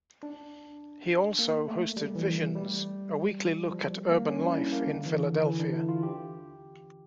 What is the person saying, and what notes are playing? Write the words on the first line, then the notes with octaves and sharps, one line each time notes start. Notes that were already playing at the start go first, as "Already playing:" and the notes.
He also hosted "Visions", a weekly look at urban life in Philadelphia.
D4
A#3
A3
G3
E3
G3
F3
G3
A#3
C#4
E4
D4
A#3
D3
E3
D3
E3
D4
E4
F4
G4